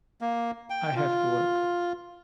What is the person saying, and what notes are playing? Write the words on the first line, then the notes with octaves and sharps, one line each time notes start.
I have to work.
A#3
G5
F4